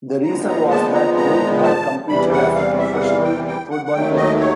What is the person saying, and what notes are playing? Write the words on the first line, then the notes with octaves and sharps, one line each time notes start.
The reason was that Milt had competed as a professional football player.
A#2 F3 G#3 B3 A#5
A#5
A5
A#5
A#5
A5
E2 C3 E3 G3 B5
F#5
F5
E5
F#5
F5
G5
G5
F#5
F#5
D#2 D#3 F#3 A3 G5
D#5
C#5